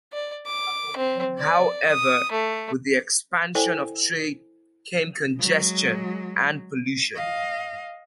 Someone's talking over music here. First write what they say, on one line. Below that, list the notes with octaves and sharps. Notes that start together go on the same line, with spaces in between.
However, with the expansion of trade came congestion and pollution.
D5
D6
C4
D5
D#6
A3
E4 A4 C5 D5 G5 G#5
F#3 G#3
D#5 F5